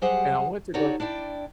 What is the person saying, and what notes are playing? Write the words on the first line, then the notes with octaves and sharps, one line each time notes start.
and I went to go
F#3 G3 G4 G#4 C5 F#5
D#4 F#4 G4 A4 C#5 D5
D4 E4 D5 G5